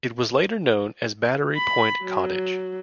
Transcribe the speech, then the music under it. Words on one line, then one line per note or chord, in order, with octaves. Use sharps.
It was later known as Battery Point Cottage.
B5
F#3